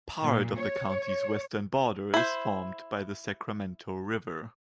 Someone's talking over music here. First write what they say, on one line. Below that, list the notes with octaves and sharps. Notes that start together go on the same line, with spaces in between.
Part of the county's western border is formed by the Sacramento River.
A#2
C#5
E4 C5